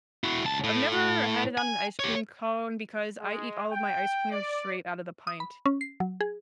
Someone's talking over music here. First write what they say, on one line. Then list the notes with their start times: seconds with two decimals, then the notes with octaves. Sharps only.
I've never had it on an ice cream cone because I eat all of my ice cream straight out of the pint.
0.24 E4 F#4
0.44 C#2 A5
0.64 A2
1.58 G#5
1.99 G4 C#5
3.20 G#3
3.71 G5
4.31 D5
5.27 D#6
5.40 B5
5.66 C#4
5.81 C7
6.00 F#3
6.21 G#4